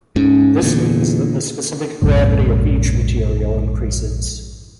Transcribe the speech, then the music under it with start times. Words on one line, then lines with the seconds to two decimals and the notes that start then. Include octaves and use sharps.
This means that the specific gravity of each material increases.
0.16 G#2 C#4
0.63 E2 A#2 D3
2.02 A#1 F2 G#2 C#3